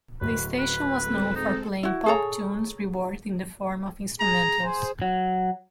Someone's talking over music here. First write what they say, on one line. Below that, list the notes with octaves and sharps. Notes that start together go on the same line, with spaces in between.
The station was known for playing pop tunes reworked in the form of instrumentals.
D1 B4
B4
G#3 C4 A4
D#4
E4 F#4
G#4 A4 C#5 A#5
G#4 A#5
G#4 C5
F#3